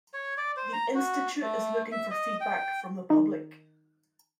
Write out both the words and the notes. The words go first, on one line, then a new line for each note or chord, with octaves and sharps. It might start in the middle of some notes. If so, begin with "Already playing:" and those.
The institute is looking for feedback from the public.
C#5
D5
C5
A#5
F#4
A3
E5
D#5
G5
D#3